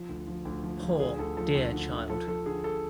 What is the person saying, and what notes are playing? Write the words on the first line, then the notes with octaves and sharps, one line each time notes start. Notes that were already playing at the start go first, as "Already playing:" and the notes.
Poor dear child!
Already playing: F3
D2
F3
D2
F3
F3
D2 G#4
D2 A4
F3 A4
D2
D3
D2
F3 A4
F3 A4
D3 G#4
A4